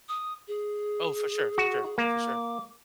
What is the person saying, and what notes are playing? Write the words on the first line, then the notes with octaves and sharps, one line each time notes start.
Oh, for sure, for sure, for sure.
D#6
G#4
F#4
G#4
A#3 D6